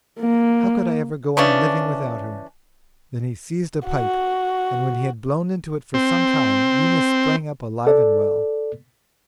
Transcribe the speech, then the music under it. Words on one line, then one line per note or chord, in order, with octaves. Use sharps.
How could I ever go on living without her?' Then he seized a pipe, and when he had blown into it for some time Nina sprang up alive and well.
A#3
C#3 E3 C#4 D4
F#4
C4
A4 D5